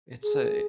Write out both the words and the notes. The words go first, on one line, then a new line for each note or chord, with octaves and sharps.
it's a
G#4